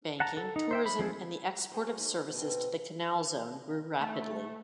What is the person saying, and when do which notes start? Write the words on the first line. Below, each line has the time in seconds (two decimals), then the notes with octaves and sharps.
Banking, tourism, and the export of services to the Canal Zone grew rapidly.
0.20 F#5 A5 A#5
0.37 A4
0.56 D#4
0.71 C5 E5 G5
0.86 B5
0.99 F3 C4 G#4 A4
1.72 F#4 G#4 C5
1.98 D#4 B5 C6
2.33 B2 C4
2.50 E5
4.01 A3